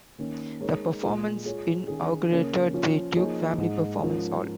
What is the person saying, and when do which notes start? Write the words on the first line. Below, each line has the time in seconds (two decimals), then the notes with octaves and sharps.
The performance inaugurated the Duke Family Performance Hall.
0.18 D#3 A#3 C#4
0.60 G#3 D#4 A#4 C#5
1.03 A#2 G#3 F4 G#4
1.45 G#3 F4 G#4 C#5
1.88 D#3 C#4 G#4
2.31 C#3 A#3 C#4 A#4
2.74 F3 C#4 F4 C#5
3.16 F3 A#3 D#4 G#4 C#5
3.58 G#2 G#3 D#4
4.01 G#2 F3 C#4 F4 A#4